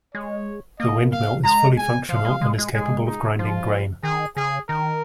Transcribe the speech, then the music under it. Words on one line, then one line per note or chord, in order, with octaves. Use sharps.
The windmill is fully functional, and is capable of grinding grain.
G#3 C#5
A#3 D#5
F5
G#3 A#5
G#5
F3 F5
G#3
G#3
G#3
G#3 G#4
D#4
F3 F4
D#3 G#4
C#3 G#4
D#3 A#4